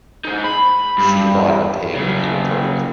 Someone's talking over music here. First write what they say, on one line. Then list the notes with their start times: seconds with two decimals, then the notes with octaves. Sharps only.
She bought a pig in a poke.
0.25 G#3 D#4
0.44 B5
0.98 G2
1.95 C#3 F#3